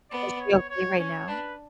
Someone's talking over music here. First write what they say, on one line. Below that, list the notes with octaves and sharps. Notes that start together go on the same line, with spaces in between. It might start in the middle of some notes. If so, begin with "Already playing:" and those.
Is she okay right now?
B3 D5
C#5
C#5
C#4 C#5
D4 B4